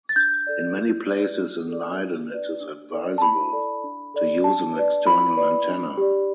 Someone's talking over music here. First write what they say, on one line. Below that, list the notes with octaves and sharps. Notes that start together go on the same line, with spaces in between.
In many places in Leiden it is advisable to use an external antenna.
A6
D4 G6
A4 D5
E4
B4 D5
D4
A4 D5
D4
B4 D5
D4
A4 D5
A5
E4 B5
A4 D5
D4
A4 D5
D4 A5
B4 D5
E4 B5
B4 D5
D4
G4 D5